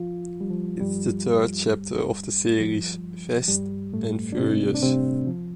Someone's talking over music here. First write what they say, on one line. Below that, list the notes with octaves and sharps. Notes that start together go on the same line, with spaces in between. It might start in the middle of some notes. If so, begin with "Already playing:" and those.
It’s the third chapter of the series "Fast and Furious".
Already playing: F3 F4
G3
F3
G2 G3
F3
G2 G3
A2 A3
D4
C3 C4
D4
C3 C4
F3